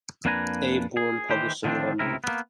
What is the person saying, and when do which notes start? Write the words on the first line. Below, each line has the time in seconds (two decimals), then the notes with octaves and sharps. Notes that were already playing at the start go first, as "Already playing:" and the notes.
A. Bourne published in London.
0.25 F2 A#3 D4 B4 G#5 A#5
0.97 G#4
1.30 D#3 E3 G4 C5
1.64 D3 D#3 F3 G3 C4 D4
1.99 C#2 F#2 A2 C3 E4 A#4
2.24 A#3 B3